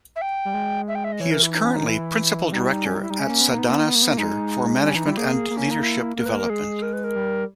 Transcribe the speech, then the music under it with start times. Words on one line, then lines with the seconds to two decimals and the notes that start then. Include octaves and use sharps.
He is currently Principal Director at Sadhana Center for Management and Leadership Development.
0.16 E5
0.21 G5
0.45 G3
0.54 G#3
0.88 E5
0.95 G5
1.04 E5
1.12 D#5
1.20 E3 C#5
1.31 A#4
1.43 E4
1.52 D#4
1.62 C#4
1.74 D#3 D#4
1.86 E3 E4
2.52 G3 D#4
2.61 E4
2.71 D#4
2.86 C#4
2.94 D#4
3.01 E4
3.10 G3 D#4
3.19 G#3 C#4
3.29 A#3
3.41 B3
3.51 A#3 D#4
3.58 B3
3.67 A#3
3.74 B3
3.80 A#3
3.88 B3
3.95 A#3
4.02 B3
4.10 A#3
4.18 G#3 D#4
4.83 G3 C#4
4.95 E3 D#4
5.06 G3 E4
5.17 A#3 G#4
5.50 A#3
5.57 C#4
5.71 D#4
5.83 E4
6.16 A#3 A#4
6.25 B4
6.35 A#4
6.42 A#3
6.49 G#3 G#4
6.82 A#4
6.93 B4
7.04 A#4
7.16 G3